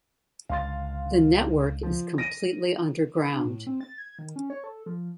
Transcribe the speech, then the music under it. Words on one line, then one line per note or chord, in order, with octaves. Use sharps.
The network is completely underground.
C#2 D3 F5 C6 A6
F3
A#6 D7 D#7
D4
A2
C4
A6
G#6
D#3
C#4
C#5
A4
F3